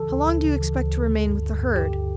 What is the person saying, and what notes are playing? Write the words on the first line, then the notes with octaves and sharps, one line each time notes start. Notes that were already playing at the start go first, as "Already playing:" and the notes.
How long do you expect to remain with the herd?
Already playing: C#3 E3 A4
D2
D2
C#3
E3
D2
D2
D3
G2
D3
G2
D3 G4